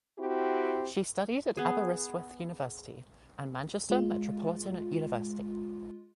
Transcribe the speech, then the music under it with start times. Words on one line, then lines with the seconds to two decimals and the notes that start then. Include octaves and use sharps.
She studied at Aberystwyth University and Manchester Metropolitan University.
0.19 C4 E4 F#4 G4
1.57 B3 G#4
3.90 G#3 F4